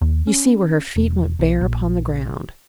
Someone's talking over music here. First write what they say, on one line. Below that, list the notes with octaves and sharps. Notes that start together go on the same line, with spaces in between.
You see where her feet went bare upon the ground.
D#2
C#4
E1
B1
A#1